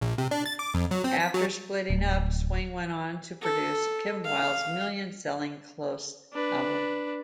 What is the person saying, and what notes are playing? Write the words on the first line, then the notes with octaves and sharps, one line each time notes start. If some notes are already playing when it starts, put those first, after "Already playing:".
After splitting up, Swain went on to produce Kim Wilde's million-selling "Close" album.
A#1
C3
D4
A6
D6
F2
F#3
C4
B6
F#3
D1
A4
F5
D4 B4